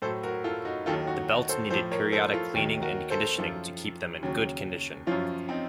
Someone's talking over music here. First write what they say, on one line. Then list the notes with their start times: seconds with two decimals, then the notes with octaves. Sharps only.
The belts needed periodic cleaning and conditioning to keep them in good condition.
0.02 A2 F#3 A4 C5
0.23 F#4 A#4
0.44 F4 A4
0.65 D#4 F#4
0.86 D#2 D#3 F#3 F4 A4
1.07 D#4 F#4
1.28 D#4 F#4
1.49 A4 C5
1.70 A2 F3 A4 C5
1.91 A#4 C#5
2.12 A4 C5
2.33 F4 A4
2.54 D#2 D#3 F#3
2.82 F#4 A#4
3.10 A4 C5
3.38 F#2 F3 F4 A4
4.23 D#2 C#3 F#3
5.07 F#2 F3 C#4 F4
5.49 C4 D#4